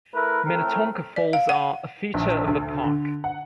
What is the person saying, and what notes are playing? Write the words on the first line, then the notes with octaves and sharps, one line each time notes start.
Minnatonka Falls are a feature of the park.
A3 E4 A#4 B4
A2 A3 C4 A#4
D5
F5
F#5
A#1
D2
D3
F#5